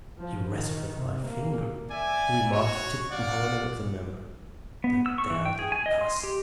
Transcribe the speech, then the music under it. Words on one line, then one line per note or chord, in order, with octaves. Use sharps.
"He rastled with my finger," he remarked to Tipton, holding up the member, "the damned little cuss!"
F3
D#3
C3
A#3
D5 E5 G#5
F#4 C#5
D5 F5 F#5
B3
E6
C#6
E3
G5
G#4
G#5
D#5
C6
G4